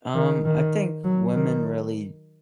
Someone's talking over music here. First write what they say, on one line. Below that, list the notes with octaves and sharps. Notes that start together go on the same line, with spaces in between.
Um, I think women really
D#3
D#3
F#3
D#3